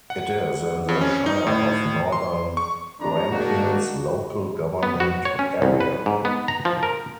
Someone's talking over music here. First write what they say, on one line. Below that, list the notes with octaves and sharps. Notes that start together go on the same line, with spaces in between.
It is in the Shire of Northern Grampians local government area.
F#5
F2
C#4
D#4
A2
C6
C#6
G#1 F2 A3 D4 A#5
D#3 G#3 A#3 D4 D#4 F#4
B3
F#4
C#5
C#4
C2
B4
G#2
B3
A#5
F3
A#4